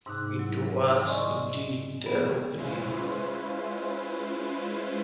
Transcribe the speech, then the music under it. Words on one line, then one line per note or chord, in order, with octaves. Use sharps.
It was, indeed, their opinion.
G#2 C3 D#4 D6 F#6
F#3 E4
D5 D#5 G#5 C6 C#6
B3 G#4
G#3 C#4 E4 F4 B4 C5